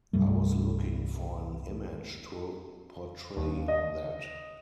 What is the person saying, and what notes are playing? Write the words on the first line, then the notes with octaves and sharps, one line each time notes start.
I was looking for an image to portray that.
C2 G2 G3 A3
D#2
D#5